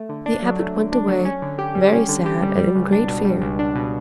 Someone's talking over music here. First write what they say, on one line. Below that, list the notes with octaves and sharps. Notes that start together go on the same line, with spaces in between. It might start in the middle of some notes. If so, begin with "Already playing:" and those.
The abbot went away very sad and in great fear.
Already playing: A3
D3
D4
F#3
A3
D3
D4
F#3
C#4
D3
G4
G3
C#4
D3
G4
G3
G3
C#2
D4
B2
G3
C#2
D4
B2